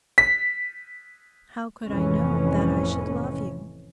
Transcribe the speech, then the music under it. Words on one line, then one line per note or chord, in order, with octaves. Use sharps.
How could I know that I should love you?...
B6
F1 F2 A2 E3 C#4